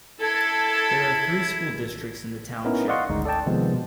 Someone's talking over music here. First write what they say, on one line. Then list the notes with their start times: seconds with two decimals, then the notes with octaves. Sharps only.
There are three school districts in the township.
0.21 E4 A4 G#6
2.65 B3 C#4 D#4 E4 A#4
2.88 D5 D#5 F5 F#5 C6 C#6
3.09 G#1 D2 G#3 D#4
3.25 A4 D5 D#5 G5 A5
3.46 C3 D#3 F3 G#3 B3
3.73 B2